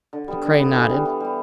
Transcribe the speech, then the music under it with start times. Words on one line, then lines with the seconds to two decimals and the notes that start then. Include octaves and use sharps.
De Craye nodded.
0.13 D3
0.28 G3 B3
0.44 D3
0.59 G3 B3
0.74 E3
0.90 G3 B3
1.05 E3
1.20 G3 B3